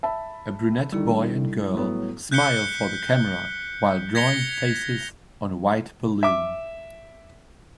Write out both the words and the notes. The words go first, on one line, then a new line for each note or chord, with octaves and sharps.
A brunette boy and girl smile for the camera while drawing faces on a white balloon.
E5 A5 B5
D3 D#3 G3 E4
A2 F#3 B3
F#6 G6 B6 C#7 G7
G#6 A#6 B6 C#7 F7 G7
E5 D6